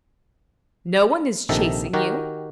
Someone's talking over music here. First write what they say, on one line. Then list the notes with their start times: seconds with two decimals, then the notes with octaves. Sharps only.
No one is chasing you.
1.49 A#1 C3 D#3 A4 E5
1.93 D#3 F#4 G4 A#4